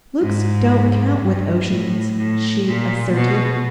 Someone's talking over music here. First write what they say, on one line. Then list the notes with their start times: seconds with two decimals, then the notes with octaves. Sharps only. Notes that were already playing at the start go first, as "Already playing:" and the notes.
"Looks don't count, with oceans," she asserted.
0.21 G#2
1.18 G2
1.67 A2
2.16 A2
2.66 A#2
3.14 B2